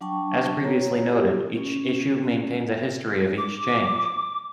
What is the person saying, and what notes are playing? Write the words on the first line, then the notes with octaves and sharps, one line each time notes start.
As previously noted, each issue maintains a history of each change.
F#3 D4 G5 A5 C#6
C#5 A#5
G4
C#4
D6